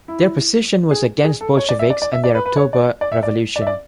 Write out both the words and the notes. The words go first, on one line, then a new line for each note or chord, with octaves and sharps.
Their position was against Bolsheviks and their October Revolution.
E4
G#4
G#4
A4
C#5
D5
E5
D5
D5
E5
D5
B4
B4
C#5
D5
D5
E5
D5
D5
E5
D5